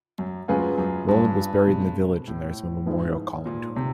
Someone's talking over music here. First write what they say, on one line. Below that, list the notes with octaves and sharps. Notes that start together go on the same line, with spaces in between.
Rowland was buried in the village and there is a memorial column to him.
F#2
F#2 G#3 C#4 F4 G#4 B4
F#2
G2
B2 G#3 C4
A2
G#2 F3 G#3 B3 E4
A#2
C3